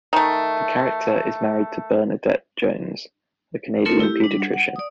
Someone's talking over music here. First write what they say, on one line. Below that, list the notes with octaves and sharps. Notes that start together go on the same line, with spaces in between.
The character is married to Bernadette Jones, a Canadian pediatrician.
D#3 A3
A3 C4 D#4 F4 A4 A#4
E4 G4
G3 D4
F#5
F#5
D5 D#6